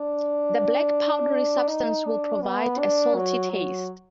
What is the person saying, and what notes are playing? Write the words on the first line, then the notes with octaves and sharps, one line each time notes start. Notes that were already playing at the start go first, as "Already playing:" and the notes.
This black, powdery substance will provide a salty taste.
Already playing: D4
D#4
D4
B3
D4
F#3
F#3